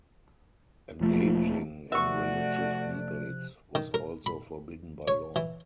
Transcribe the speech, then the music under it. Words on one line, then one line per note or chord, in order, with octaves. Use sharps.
Engaging in religious debates was also forbidden by law.
E1 F3 A3 A#3
C3 F3 A3 F#4 D5 E5 C#6 F#6
D#3
A#4
B5
C#5
E3